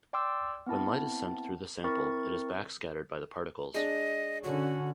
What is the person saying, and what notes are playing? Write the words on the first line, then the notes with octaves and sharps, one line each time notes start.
When light is sent through the sample, it is back scattered by the particles.
D5 G5 C6 D6 E6
B3 C4 E4 A5
C4 E4 A#4 C#6 A6
G#3 D4 D#5
D3 C#4 F#4